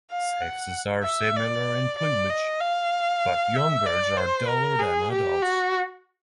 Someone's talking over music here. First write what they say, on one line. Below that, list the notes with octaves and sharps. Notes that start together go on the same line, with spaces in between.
Sexes are similar in plumage, but young birds are duller than adults.
F5
F#5
E5
D5
D5
D#5
F5
E5
D5
C5
A#4
G#4
G4
F#4